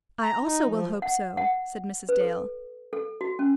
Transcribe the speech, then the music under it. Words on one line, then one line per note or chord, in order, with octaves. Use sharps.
"I also will hope so," said Mrs. Dale.
A#5
D#4
F3
F#5
F#5
B4
A4
A4
F#4
C#4